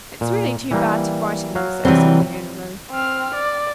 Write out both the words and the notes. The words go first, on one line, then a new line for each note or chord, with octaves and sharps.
"It's really too bad to frighten them so," said Leona Rowe.
A#2
E3 G3 A#3
F#3 F5
C3 E3 F#3 G3 C4
C4 F6
D5